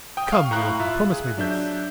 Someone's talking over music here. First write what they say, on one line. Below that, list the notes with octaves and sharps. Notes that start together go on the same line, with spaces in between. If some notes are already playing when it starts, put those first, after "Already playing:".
Come, warden, promise me this.
G5 D#6
F5 C#6
A2 A#5 F#6
F4 E5
G#4
F#3 D4 E5 G6